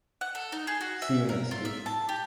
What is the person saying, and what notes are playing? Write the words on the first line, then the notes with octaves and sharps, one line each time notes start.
See you next year.
F#5
A4
D#4
G#4
F#4
E5
A#4
F4
E5
A5
G4